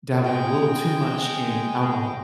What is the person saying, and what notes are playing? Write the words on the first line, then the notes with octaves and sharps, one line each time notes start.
dabbling a little too much in alcohol.
G#3 G5